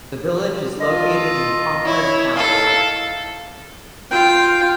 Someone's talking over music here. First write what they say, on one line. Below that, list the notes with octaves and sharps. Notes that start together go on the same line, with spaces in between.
The village is located in Concord Township.
F4 A4 D#5
E4 C#5
D#4 E4 A4 F5
F4 G5